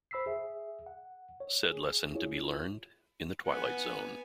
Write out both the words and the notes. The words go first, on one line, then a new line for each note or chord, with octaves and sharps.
Said lesson to be learned in the Twilight Zone.
C5 B5 E6 B6 C7
G#4 E5
F#5
C#5
G#4
E4 F4 G#4 C#5
B3 F#5 G#5